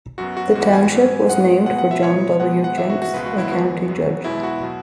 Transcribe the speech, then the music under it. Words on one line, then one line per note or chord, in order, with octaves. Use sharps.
The township was named for John W. Jenks, a county judge.
F#2 F#3 B3 F#4
F#4
G#2 E3 B3 F#4
G#5
G#2 F#3 B3
G#2 E3 G#3 B3 F#5
B2 G#3 B3 F#5
F#5
E5
B2 G#3 B3 C#5
B2 G#3 B3 F#5
F#5
G#2 E3 B3 E5
F#4
F#4
C#2 B2 G#3 B3 B4
F#4
E4
E2 E3 G#3 B3 F#4
F#2 F#3 B3
E2 B2 G#3 B3 E4
F#4
B2 F#3